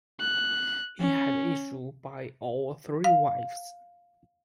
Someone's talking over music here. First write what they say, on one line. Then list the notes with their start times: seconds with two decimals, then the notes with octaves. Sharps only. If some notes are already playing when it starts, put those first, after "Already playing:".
He had issue by all three wives.
0.20 F#6
1.00 C#4
3.04 F5